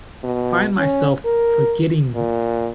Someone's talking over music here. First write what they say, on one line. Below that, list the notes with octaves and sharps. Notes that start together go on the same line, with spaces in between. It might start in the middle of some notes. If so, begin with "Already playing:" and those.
find myself forgetting v
B2
C#4
A#4
A#2